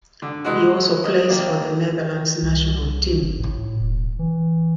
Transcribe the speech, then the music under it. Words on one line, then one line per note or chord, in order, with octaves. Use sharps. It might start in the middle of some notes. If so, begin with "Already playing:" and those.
He also plays for the Netherlands national team.
D3
E3 G#3 D#4 F#4
D#5
D#3 A#3 D5
C2
G#1
A2
E1
E3